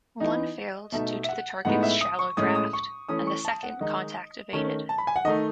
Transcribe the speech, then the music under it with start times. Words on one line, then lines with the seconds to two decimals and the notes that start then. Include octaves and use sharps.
One failed due to the target's shallow draft; and the second contact evaded.
0.20 E3 B3 D#4 D#5
0.92 B2 A3 D#4 E5
1.24 E5
1.29 F#5
1.65 A2 G#3 B3 D#4 F#5
1.83 E5
2.01 D#6
2.19 C#6
2.37 A2 G#3 C#4 D#6
2.55 D#6
2.73 C#6
3.09 E3 A3 C#4 D#6
3.27 C#6
3.45 A5
3.63 F#5
3.80 D#3 G#3 D#4 D#5
4.53 D#3 A3 C#4
4.89 A5
4.98 B5
5.07 G#5
5.16 F#5
5.25 D#3 A3 D#4 D#5